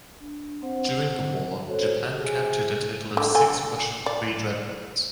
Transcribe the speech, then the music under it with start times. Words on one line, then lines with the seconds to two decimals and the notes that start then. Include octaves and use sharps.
During the war, Japan captured a total of six Russian pre-dreadnoughts.
0.21 D4
0.62 C4 C5 F#5
1.68 F#4 A4 C5 C#5
1.97 G4
2.20 G#4 C5 G#5
3.17 D3
3.35 A4 G#5
4.06 D5